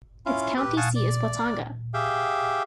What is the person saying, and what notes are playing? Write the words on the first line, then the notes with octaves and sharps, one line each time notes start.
Its county seat is Watonga.
C#4 E4 F4 F5
G4 B4
F5 F#5 G#5 A5 C#6 D#6
D5
G4 G#4 E5 F5 G5